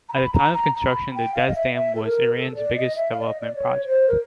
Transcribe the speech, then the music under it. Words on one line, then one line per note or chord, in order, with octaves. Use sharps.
At the time of construction the Dez Dam was Iran's biggest development project.
A#5
B5
A#5
A#5
A#5
B5
G5
F5
D#5
E5
E5
A4
A#4
A4
D5
D#5
E5
F5
D5
D#5
D5
C#5
C5
A#4